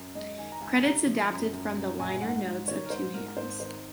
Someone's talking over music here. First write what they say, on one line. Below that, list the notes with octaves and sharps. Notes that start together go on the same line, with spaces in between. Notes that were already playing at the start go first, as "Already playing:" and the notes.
Credits adapted from the liner notes of "Two Hands".
Already playing: F#2
G#3 D#5
D#3 G#5
A#5
C#2 G#5
C3 A#5
F3
F#2
F#2
F#2
A#1 G#5
G#2 F#5
G#2
D#3 C#5
A#4
G#2 C5
G#2 A#4
G#1 C5
D#3 C5